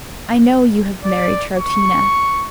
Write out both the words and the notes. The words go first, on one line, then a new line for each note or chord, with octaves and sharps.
I know you have married Troutina.
D5
C#6